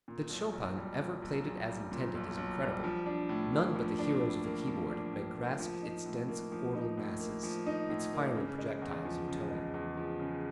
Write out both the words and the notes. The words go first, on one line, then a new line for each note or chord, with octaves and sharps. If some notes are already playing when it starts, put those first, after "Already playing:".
That Chopin ever played it as intended is incredible; none but the heroes of the keyboard may grasp its dense chordal masses, its fiery projectiles of tone.
A#2
B1
B1
G3
A#2
B1
B1
G3
A#2
B1
B1
G3
F3
D4
A2
A#3
F3
D4
A2
A#3
F3
D4
A2
A#3
F3
D#4
A2
A#3
F3
D#4
A2
A#3
F3
D#4
A2
A#3
C#3
G#3
E2
F3
C#3
G#3
E2
F3
C#3